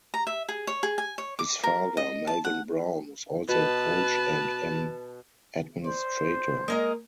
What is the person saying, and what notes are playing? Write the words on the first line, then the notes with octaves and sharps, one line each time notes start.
His father, Melvin Brown, was also a coach and an administrator.
A#5
E5
G#4
C#5
G#4
G#5
C#5
D6
A#4
D#5
A5
F#5
B2 B4 A5
C5 D5
G#3 A#3 A#4 D5 D#5